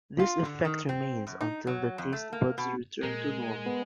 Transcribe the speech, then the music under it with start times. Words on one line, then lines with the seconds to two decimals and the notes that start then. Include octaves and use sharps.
This effect remains until the taste buds return to normal.
0.19 F4
0.45 D3
0.65 D#3
0.89 C4
1.27 F#2
1.41 D#4
1.67 F#3
1.98 F2
2.13 A3
2.33 A#3
2.58 B2
3.03 A#2 G#3 A#4
3.66 B3